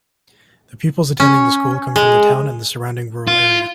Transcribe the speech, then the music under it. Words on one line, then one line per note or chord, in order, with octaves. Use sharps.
The pupils attending the school come from the town and the surrounding rural area.
C#4
G#3
F4